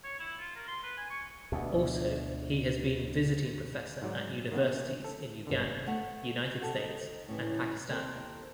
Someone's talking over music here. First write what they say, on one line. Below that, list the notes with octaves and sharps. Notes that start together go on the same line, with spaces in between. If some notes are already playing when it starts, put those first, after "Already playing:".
Also, he has been visiting professor at universities in Uganda, United States and Pakistan.
C#5
E4
F4
A#4
C6
B4
G#5
C#6
D2 B2
G#2 F#3 D5
D#3 A#3 B3 C#4
A4
G1 F#2 D3
A3 F#5
F#4 G4 A4
D#4
A2 C#3 E3
D#2 C4 A4 A#4 G5